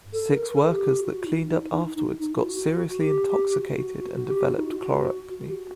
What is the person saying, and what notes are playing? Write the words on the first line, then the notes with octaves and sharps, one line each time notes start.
Six workers that cleaned up afterwards got seriously intoxicated and developed chloracne.
A4
A#4
A#4
A4
G4
F#4
D#4
F#4
G4
F#4
F#4
G4
F#4
D#4
F#4
F#4
G4
F#4